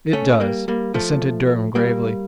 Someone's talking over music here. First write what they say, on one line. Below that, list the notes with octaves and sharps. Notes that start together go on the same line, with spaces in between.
"It does," assented Durham gravely.
A3 C#4
G3 A#3
G3 A#3
F3 A3
G3 A#3